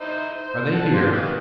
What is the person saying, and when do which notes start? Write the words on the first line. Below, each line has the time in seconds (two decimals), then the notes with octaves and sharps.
"Are they here?"
0.01 D#4 E4 C5
0.37 C5
0.74 F#5 A5
0.94 F4 G4 C6
1.13 D#3 E3 B4